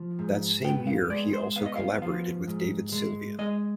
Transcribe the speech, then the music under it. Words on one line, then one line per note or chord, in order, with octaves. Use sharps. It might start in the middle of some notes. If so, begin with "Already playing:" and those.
That same year, he also collaborated with David Sylvian.
Already playing: F3
G#2
B3 G5
F5
G#3 D5
C5
B3 F5
D#5
F5
F3 F5
G#2
G#3
G#3 D#5